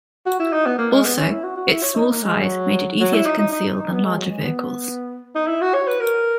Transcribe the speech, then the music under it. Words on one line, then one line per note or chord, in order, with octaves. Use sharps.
Also, its small size made it easier to conceal than larger vehicles.
F#4
E4
D#4
B3
A#3
G#3
B3
C#4
E4
F#4
F#4
E4
C#5
D#4
A#3
G#3
F#3
F#3
E4
D#4
D#4
D#4
D#4
B3
G#3
F#3
G#3
B3
D#4
E4
F#4
C#5
B4
A#4